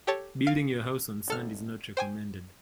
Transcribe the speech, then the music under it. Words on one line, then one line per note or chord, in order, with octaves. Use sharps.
Building your house on sand is not recommended.
G4 A4 C#5 A5
F5
G#1 A4 F6
C5 G5 G#5